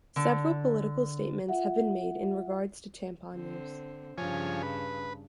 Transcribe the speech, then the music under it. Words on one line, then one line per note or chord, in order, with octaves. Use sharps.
Several political statements have been made in regards to tampon use.
D3
F4 E5 F#5
D3 C4
G2 C#3 F3 C#5 G#5
B4